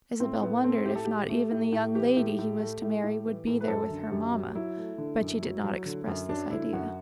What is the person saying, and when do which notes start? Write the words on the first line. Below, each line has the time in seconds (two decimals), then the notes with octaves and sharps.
Isabel wondered if not even the young lady he was to marry would be there with her mamma; but she did not express this idea.
0.20 A2 C4
0.42 A2 B3
0.64 A3 C4
0.86 A2 G4
0.96 A4
1.05 A2 G4
1.29 A3
1.52 A2
1.72 A2
1.95 E3 G4
2.17 A2
2.39 A2
2.59 A3
2.82 A2
3.04 A2
3.25 E3
3.47 A2
3.61 B4
3.68 F#2 A4
3.91 D3
4.11 F#2 G4
4.33 F#3
4.55 F#3 E4
4.77 A3
4.98 D3
5.21 F#2
5.42 F#3
5.64 F#3
5.86 D3
6.07 F#2
6.29 F#3 D4
6.51 D3 E4
6.73 F#2 F#4